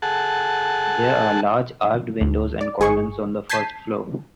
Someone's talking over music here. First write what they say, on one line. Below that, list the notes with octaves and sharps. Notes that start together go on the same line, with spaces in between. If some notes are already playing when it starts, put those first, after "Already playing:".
There are large arched windows and columns on the first floor.
G#4 A4 F#5 A5
D2
D5
G1 G#4 G#5 C#6 C#7
A5 G6 G#6 B6 C7 D#7